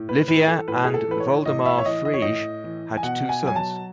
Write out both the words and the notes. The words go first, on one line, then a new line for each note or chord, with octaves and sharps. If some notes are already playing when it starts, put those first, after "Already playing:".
Livia and Woldemar Frege had two sons.
Already playing: A2
B4
E3 B4
A4
A2 B4
G#4
A4
E3 B4
C#5
A2 D#5
E5
C#5
E3 D#5
D#5
C#5
A2 D#5
E3
G#5
B2 F#5
G#5
F#3
G#5
A5